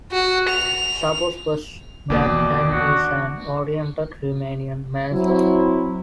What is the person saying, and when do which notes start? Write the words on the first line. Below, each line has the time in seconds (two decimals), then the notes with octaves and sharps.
Suppose first that "M" is an oriented Riemannian manifold.
0.12 F#4
0.49 F7
2.10 F1 D#2 B2 A#3 D5
2.27 E3
2.71 D3 D#3 D4 F#4
5.12 F#3 C4 E4